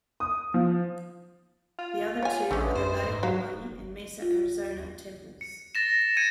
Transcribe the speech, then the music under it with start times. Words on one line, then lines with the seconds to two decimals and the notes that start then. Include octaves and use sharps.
The other two are the Laie Hawaii and Mesa Arizona temples.
0.20 D#6
0.54 F3
1.79 F4
2.23 C#5 G#5
2.51 A#1 D3 E3 G#3 A3 C#4
2.75 F#2 C5
3.07 G#2
3.23 F#3 F#4 D#5 F5
4.22 F4
5.41 C#7
5.75 A6 A#6 E7
6.17 G#6 C#7 D#7